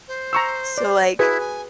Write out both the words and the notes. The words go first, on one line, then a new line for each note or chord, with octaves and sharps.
So like
C5
A#5 C#6 E6
D5
E4 F#4 G#4 B4
G#5